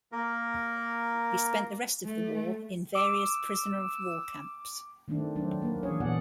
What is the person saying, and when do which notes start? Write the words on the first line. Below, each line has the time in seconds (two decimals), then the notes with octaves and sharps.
He spent the rest of the war in various prisoner of war camps.
0.12 A#3 A#4
2.05 A3
2.95 D6 E6
5.08 D#3 A3 C4 D4
5.35 F#3 A3 C4 D4
5.62 A#3 B4
5.83 E3 C#4 D4 G#4 C#5
6.00 A#2 E3 B3 G#4 D5 F#5